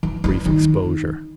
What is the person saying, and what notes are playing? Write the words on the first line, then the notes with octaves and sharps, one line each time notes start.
Brief exposure.
E3
E3
D#3